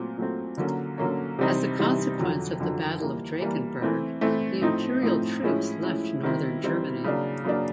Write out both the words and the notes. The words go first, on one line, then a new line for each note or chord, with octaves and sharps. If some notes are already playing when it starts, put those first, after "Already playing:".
As a consequence of the Battle of Drakenburg, the Imperial troops left northern Germany.
Already playing: A#2 F#3 A3 C4
A#2 F#3 A3 C4
D3 F#3 A#3 C#4
D3 F#3 A#3 C#4
C3 E3 G3 C4 D#4
C3 E3 G3 C4 D#4
F2 D3 F#3
F2 D3 F#3
E3 G3 A#3
E3 G3 A#3
E3 A3 C4 E4
E3 A3 C4 E4
A2 F3 A3 C4 D#4
A2 F3 A3 C4 D#4
A2 F3 G#3 C#4 E4
A2 F3 G#3 C#4 E4
D#3 G3 C4 E4
D#3 G3 C4 E4
C#3 F#3 A#3 D4
C#3 F#3 A#3 D4